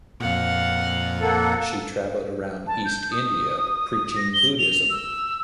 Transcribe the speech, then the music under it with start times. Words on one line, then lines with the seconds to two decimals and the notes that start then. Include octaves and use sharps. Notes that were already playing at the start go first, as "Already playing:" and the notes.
She traveled around East India preaching Buddhism.
0.20 F2 A#2 F5 F#5
1.21 A#3 A4 F#5
2.67 A5
2.85 G6
3.12 D#6
4.16 A#6
4.34 G7
4.59 F7
4.90 E6